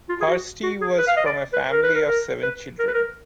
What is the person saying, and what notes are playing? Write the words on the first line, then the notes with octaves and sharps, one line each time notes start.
Hursti was from a family of seven children.
F4
G#4
F#4
F#4
G#4
B4
F5
D#5
D5
B4
A#4
B4
A#4
A#4
B4
A#4
B4
A#4